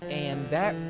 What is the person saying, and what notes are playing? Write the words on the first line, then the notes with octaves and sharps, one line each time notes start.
and that
F3
D3
E3